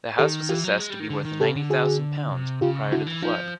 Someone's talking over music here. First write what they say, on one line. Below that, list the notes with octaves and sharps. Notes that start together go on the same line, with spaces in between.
The house was assessed to be worth ninety thousand pounds prior to the flood.
D#3 G4 A4
E3 F4 G4
F#3
G#3
G3
D#3
D3
D#3
C#3 G4 A4
D3
F#4 G#4
C3
C#3 F4 G4
D3 E4 F#4
E3
F3 D#4 F4